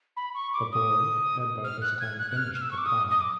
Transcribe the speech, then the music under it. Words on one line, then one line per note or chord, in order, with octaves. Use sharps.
The boy had by this time finished the pie.
B5
C#6
D6
D#6
F6
F#6
G#6
F#6
F#6
F6
F6
E6
C#6
D6
D#6
D#6
D6